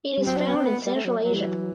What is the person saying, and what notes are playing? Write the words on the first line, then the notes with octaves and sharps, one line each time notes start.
It is found in Central Asia.
G3
F#3 C4
D4
B3
C4
B3
G3
A3
F#3
F#3
E3 G3
F#3